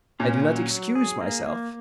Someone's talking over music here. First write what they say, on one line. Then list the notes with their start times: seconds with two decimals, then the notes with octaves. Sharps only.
I do not excuse myself.
0.20 A#2 C#4
0.45 F#3
0.71 F#3
0.95 G#4
1.21 A#3
1.46 A#3